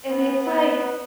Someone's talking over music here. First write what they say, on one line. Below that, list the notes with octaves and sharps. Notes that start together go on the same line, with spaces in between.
and it's like,
B3
B3